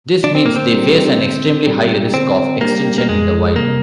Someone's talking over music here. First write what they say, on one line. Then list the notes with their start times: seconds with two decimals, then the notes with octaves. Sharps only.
This means they face an extremely high risk of extinction in the wild.
0.24 D3 D4
0.35 C4
0.46 A#3
0.56 C4
0.72 G3 D4 G4 A#4
1.19 D3
1.66 G3 D4 G4 A#4
2.14 D3 C4
2.61 G3 A#3 D4 G4 A#4
2.98 A#3
3.09 F2 G#3
3.56 C3 G3 A#3